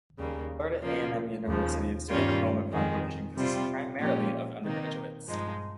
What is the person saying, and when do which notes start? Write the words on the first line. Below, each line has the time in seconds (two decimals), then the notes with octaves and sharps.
Florida A and M University student enrollment population consists primarily of undergraduates.
0.18 D#2 C#3 G3 A#3
0.82 C#3 F3 A#3 F4
1.46 D#2 C#3 F3
2.09 G2 D#3 G3 C#4 F4
2.72 F2 D#3 G#3
3.36 C3 G3 C4 F4
4.00 A#2 F3 A#3 C#4 G4
4.64 C3 D#3 A#3 D#4
5.27 G2 F3 G#3 D#4